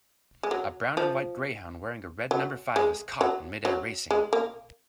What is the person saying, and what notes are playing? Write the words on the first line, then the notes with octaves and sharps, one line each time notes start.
A brown and white greyhound wearing a red number five is caught in midair racing.
G#3
F#3
F3
F#3
G#3
F#3
F#3
G#3
A#3